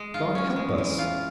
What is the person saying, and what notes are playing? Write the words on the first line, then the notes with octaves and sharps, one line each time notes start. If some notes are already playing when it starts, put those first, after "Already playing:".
God help us!
Already playing: G#3
F4
C#4
G#3
E3
F4